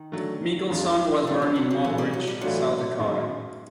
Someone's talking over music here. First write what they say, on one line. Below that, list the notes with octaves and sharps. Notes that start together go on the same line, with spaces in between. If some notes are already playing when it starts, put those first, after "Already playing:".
Mickelson was born in Mobridge, South Dakota.
Already playing: D#3
D3 F#3 A3
F2 D3 F3 G#3
D#3 F#3 B3 D4
F3
F#3
F#3
E3 F#3 G#3 C4 E4 A4
G3
F#3
G3
A2 E3 F#3 A3 D4 F4
F#2 D#3 G#3 B3